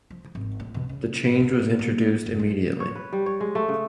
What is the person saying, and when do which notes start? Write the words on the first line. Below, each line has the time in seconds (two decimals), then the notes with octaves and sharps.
The change was introduced immediately.
0.10 F3
0.35 G#1
0.60 A2
0.74 B2
0.89 C#3
1.24 A2
1.40 D3
1.59 A2
1.79 A#3
2.26 F#1
2.39 G2
2.80 C#5
2.95 B4
3.13 G3
3.26 C#5
3.41 G#3
3.55 A3
3.68 C#3